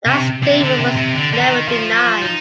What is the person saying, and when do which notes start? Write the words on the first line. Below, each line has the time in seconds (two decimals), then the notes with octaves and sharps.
That statement was never denied.
0.06 C3
0.43 C3
0.60 D3
0.79 C3
0.96 C3
1.14 D3
1.33 D3
1.41 D#3
1.68 F3
2.22 D#4